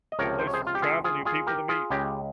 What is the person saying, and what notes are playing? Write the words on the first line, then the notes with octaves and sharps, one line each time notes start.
new places to travel, new people to meet.
D#5
C#2 C3 F3 A#4 C#5
C5
C#5
G#4 C5
F4
G4
F4 G#4
F4 G#4
F4 G#4
G4 A#4
F4 G#4
C#2 C#3 G#3 G4